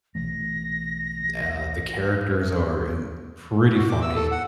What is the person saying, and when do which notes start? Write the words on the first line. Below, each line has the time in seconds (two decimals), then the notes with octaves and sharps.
Uh, the characters are in pretty funny.
0.15 B1 E3 A3 A#6
3.75 F#4
3.89 D6
4.02 E6
4.15 A4
4.31 F#5